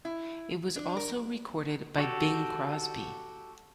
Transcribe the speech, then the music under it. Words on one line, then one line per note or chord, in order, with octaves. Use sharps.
It was also recorded by Bing Crosby.
E4
D4
A#4
F#4 G4 A4